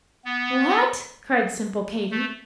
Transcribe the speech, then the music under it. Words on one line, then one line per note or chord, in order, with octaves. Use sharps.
"What!" cried simple Katy.
B3
A3